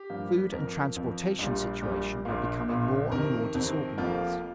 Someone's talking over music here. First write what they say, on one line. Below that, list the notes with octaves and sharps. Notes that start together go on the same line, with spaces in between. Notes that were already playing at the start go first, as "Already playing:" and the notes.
The food and transportation situations were becoming more and more disorganized.
Already playing: G4
G2 F3 A#3
F2 F3 C4 A#4
F2 F3 C4
A#1 A#2 G3 A#3
A#1 A#2 G3 A#3
A#1 A#2 A#3
A#1 A#2 A#3
F2 C3 D#3 C4 A#4
F2 C3 D#3 C4
F1 F2 F3 A#3 F4